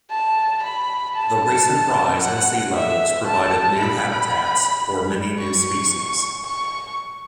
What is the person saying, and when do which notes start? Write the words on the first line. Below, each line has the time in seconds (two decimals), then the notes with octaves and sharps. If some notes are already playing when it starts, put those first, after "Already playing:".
The recent rise in sea levels provided new habitats for many new species.
0.10 A5
0.63 B5
1.16 A5
2.21 F#5
2.75 E5
3.27 A5
3.80 B5
5.39 C#6
6.45 C#6